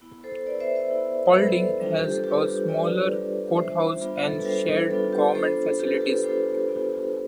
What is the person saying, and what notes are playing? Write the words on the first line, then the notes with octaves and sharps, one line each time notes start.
Paulding has a smaller courthouse and shared government facilities.
B3 E4
A4 C5
B3 E4 B4 D5
C5 E5
C5 E5
B3 E4
B4
B3 E4 A4 C5
G3 D4 F4
G4
A4
G3 D4 F4 G4 B4
G4
G3 D4 F4 B4 D5
G3 D4 F4
G3 B3 D4 F4 C5 E5
G3 B3 D4 F4
A4
B4
G3 B3 D4 F4 A4 C5
B4
G3 B3 D4 F4 A4
G4 B4
B3 D4 F4 A4 C5
B3 D4 F4 G4 B4
A4
G4 B4
B3 D4 F4 A4 C5
B3 D4 F4